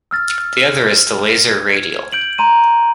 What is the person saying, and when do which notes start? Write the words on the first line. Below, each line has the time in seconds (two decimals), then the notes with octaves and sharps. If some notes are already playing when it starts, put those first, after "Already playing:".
The other is the Laser Radial.
0.11 E6 F6 A6
1.49 G#6
2.13 G6 D7 F#7
2.38 A#5 C6 D#7